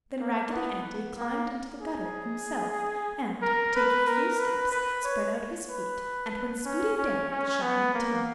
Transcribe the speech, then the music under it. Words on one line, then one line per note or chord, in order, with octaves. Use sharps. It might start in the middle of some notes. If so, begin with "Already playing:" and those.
Then Raggedy Andy climbed into the gutter himself and, taking a few steps, spread out his feet and went scooting down the shiny tin.
A#3
B3
A#3
G#4
A#4
B4
A#4
B4
B4
C#5
B4
C#4
C#4
C#4
B3
A#3